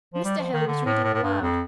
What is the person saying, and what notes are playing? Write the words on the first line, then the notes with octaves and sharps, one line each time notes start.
Mr. Hale was reading aloud.
F3
G3
F3
D#3
D3
A2
A2
A2
G2
F2